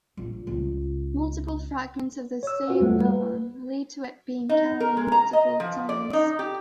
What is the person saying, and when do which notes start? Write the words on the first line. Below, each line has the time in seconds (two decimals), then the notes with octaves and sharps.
Multiple fragments of the same bone lead to it being counted multiple times.
0.17 A#1
0.47 C#2
2.43 C#5 E6
2.68 F4 F#4 B4 C5 F#5
2.80 E2 G3 A3 F#5
3.05 B4
4.49 D#4
4.80 A#4
4.97 G#3
5.12 A#5
5.33 D#5
5.60 F3
5.89 D5
6.13 D#4
6.39 G4